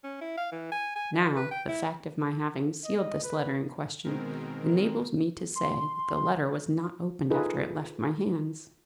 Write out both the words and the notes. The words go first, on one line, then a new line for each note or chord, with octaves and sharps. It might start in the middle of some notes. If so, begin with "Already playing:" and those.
But now, the fact of my having sealed this letter in question, enables me to say that the letter was not opened after it left my hands.
C#4
E4
F5
E3
G#5
G#5
D#3
B4
G5
E4
D#5
B4
B2 D#3 G#3 C4 A#4
C6
D#4 F4 G#4 A4 B4